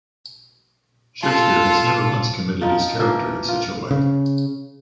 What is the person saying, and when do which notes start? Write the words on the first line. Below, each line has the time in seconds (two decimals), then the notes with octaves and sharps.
Shakespeare has never once committed his character in such a way.
1.22 F4 A4
2.61 F3 D#4 F4
2.99 E3 F3 A#3
3.48 F4
3.91 C#3